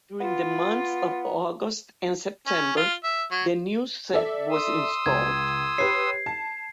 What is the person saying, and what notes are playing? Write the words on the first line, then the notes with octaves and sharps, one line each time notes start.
During the months of August and September, the new set was installed.
B3 F4
C#4
F4
E5
F#3
A4 D5 E5
C6 D#6 E6
C#2 G#6
G4 B4 C#5 C7
A5